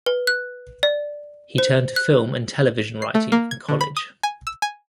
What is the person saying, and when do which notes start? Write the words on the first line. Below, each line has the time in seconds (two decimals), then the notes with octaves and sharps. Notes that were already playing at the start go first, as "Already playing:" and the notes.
He turned to film and television writing in college.
0.06 B4
0.27 F#6
0.83 D5
1.58 C5
1.96 F#6
3.02 C7
3.15 A3
3.32 A#3
3.51 G#6
3.69 D3
3.81 B5
3.96 D#6
4.23 G#5
4.47 E6
4.62 G#5